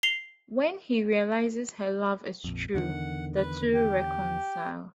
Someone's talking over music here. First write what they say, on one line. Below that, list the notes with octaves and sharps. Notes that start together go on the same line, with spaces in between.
When he realizes her love is true, the two reconcile.
C7 F7 G7
A#1 F2
E2 D3 D#3 F#5
B4
G4